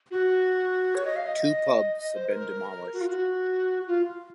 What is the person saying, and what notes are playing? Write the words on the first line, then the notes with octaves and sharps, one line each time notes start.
Two pubs have been demolished.
F#4
C#5
D#5
F5
D#5
D#5
C5
A#4
F#4
F4
F#4
F4